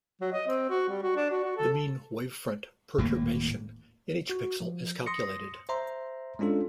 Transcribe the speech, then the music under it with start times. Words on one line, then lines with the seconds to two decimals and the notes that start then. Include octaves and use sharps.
The mean wavefront perturbation in each pixel is calculated.
0.21 F#3
0.33 D#5
0.47 C4
0.70 F#4
0.89 G3
1.03 F#4
1.16 D4
1.31 F#4
1.44 F#4
1.57 A4
2.98 D#1 A2 A#3
4.29 F#4
4.61 F3
5.06 C6 D#6 A#6 C#7
5.69 C5 E5 A#5 C6
6.39 G#3 C#4 D4 F4 A4